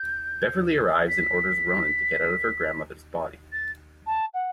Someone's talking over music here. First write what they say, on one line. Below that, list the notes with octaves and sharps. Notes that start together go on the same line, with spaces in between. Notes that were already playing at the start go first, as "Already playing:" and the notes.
Beverly arrives and orders Ronin to get out of her grandmother's body.
Already playing: G6
B6
A6
A5
F#5